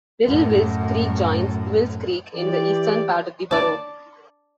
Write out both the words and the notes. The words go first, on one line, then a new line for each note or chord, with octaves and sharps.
Little Wills Creek joins Wills Creek in the eastern part of the borough.
F#2 A2
E3 G4 D5
D5 A5